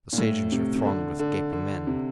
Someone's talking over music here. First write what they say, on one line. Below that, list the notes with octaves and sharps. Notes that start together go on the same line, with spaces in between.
The stagings were thronged with gaping men.
A#2
A2
C3
C3
D3
D3
D3
C3